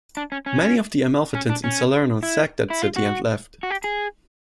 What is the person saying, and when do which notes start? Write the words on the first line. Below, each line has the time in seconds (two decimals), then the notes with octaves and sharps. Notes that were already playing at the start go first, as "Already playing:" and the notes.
Many of the Amalfitans in Salerno sacked that city and left.
0.17 D4
0.32 C#4
0.46 C#4
1.35 C#4
1.49 D4
1.64 C#4
2.23 E4
2.70 E4
2.82 F4
2.96 F#4
3.63 F#4
3.70 G4
3.84 G#4